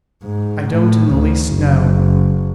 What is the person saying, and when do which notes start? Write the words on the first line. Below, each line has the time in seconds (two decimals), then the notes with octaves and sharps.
"I don't in the least know."
0.23 G#2
0.69 A2
1.13 D2
1.53 F#1